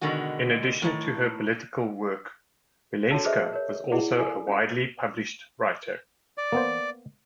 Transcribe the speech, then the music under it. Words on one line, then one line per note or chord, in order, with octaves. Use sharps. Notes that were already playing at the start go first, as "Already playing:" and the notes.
In addition to her political work, Vilenska was also a widely published writer.
B2 D3 D#3 G#3 F#4
A2 D#3
F#4 A4 C#5 A5 E6
G#4 B4 C5 D#5 E5
A#4 C#5
E4 G#4 D5 F#5
A4 A#4 D5 G#5
C#4 D4 F#5
D5
A#3 B3 C5